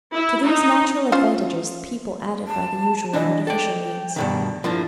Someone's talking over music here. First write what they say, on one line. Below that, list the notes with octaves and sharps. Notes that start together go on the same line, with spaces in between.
To these natural advantages the people added by the usual artificial means.
E4
D#4
C#4 F4 C5
A5
E3 D4 D#5
A4 D5 G5
G2 B2 D#3
F3 A#3 D4 E4